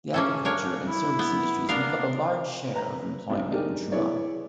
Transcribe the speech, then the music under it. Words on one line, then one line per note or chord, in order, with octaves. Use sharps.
The agriculture and service industries make up a large share of employment in Trumann.
A#3 C#4 G#4 A4
D4 A#4 C#5
E4
B3
A#3 B3 D4 A#4 F5
B4 A#5
B1 G#2
D4 D#4 G4 G#4 A#4
B3 E4 G#4 C#5 D5